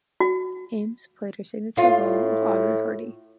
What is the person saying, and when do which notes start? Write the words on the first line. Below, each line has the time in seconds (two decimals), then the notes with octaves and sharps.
Ames played her signature role of Audrey Hardy.
0.20 F#4
1.77 A2 F4